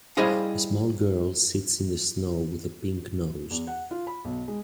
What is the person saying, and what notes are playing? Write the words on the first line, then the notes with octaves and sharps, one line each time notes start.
A small girl sits in the snow with a pink nose.
G3 E4 G#4 C5 D#5 F5
E2
F#5
F4
B5
B1
G#3